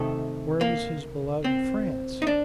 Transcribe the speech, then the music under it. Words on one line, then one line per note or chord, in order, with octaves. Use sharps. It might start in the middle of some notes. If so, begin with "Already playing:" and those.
Where was his beloved France?
Already playing: C3 D#3 A3 A4
A#3
C4
D#4
D4